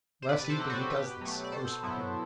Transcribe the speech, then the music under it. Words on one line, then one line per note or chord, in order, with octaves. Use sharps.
Last evening he does this. Worse for him!
C5
C3 B4 D5
B4
A4 C5
F#3 C4
F#4 A4
B2 G4 B4
F#3 A3
D5
B2 A4 C5
F#3 B3 E4